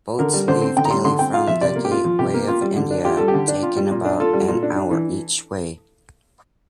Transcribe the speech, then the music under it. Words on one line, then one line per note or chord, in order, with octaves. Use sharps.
Boats leave daily from the Gateway of India, taking about an hour each way.
D3 A#4
G3
D3 C5
C4
D3 G5
A#5
G3 C6
D3 C6
C4 G5
F4 F5
F3 E5
C3 D5
A#3
G4
F4
F3
C3 G4
A#3
F4
G3
D3
D4
F4 G4
G3 A4
G4
D3
D4
F4
G3
A#2
D4
F4 A4
G3
A#2
D4
D4
E3